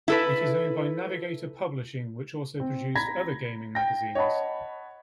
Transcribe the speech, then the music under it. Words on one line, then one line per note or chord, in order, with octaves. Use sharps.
It is owned by Navigator Publishing, which also produced other gaming magazines.
E4 A4 B4
C4
A#5 B5 G#6 A#6 B6
G5 A#6
C#5 D#5 F#5 A5 B5